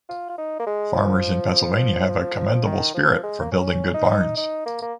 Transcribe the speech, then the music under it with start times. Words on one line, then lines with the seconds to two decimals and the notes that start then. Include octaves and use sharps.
Farmers in Pennsylvania have a commendable spirit for building good barns.
0.09 F4
0.29 F4
0.38 D#4
0.59 A#3
0.66 G#3
0.94 F3
2.66 D#3
2.94 F3
3.23 G#3
3.41 A#3
3.52 C#4
3.94 D#4
4.37 D#4
4.65 A#3
4.82 A#3